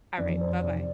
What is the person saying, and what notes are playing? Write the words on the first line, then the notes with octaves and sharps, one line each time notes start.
All right, bye-bye.
F2 D5
C5
C3 D5